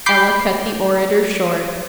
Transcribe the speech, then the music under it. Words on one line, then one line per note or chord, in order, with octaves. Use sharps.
Ella cut the orator short.
B5 D6 G6 C7